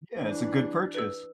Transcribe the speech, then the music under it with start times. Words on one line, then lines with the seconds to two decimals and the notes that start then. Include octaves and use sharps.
Yeah, it's a good purchase.
0.19 E3 D4
0.95 B4 E6